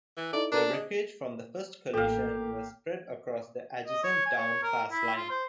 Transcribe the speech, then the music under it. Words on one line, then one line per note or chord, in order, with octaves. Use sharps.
The wreckage from the first collision was spread across the adjacent down fast line.
E3
D#4 E4 A4 D5
D4 A4 A#4
G#4 D#5
A1 A#3 G4 A4 F5
D#5
C#5
G#5
C#5
A#4
E4
F4
C5